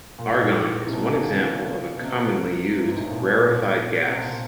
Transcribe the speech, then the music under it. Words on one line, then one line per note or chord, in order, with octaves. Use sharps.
Argon is one example of a commonly used rarefied gas.
A#2
A2
G#2
A2
C3
B2
C3
C#3
D#3
C#3
B2
C3
G2
G#2
A2
A#2
B2
B2
A#2
B2
C3
B2
A#2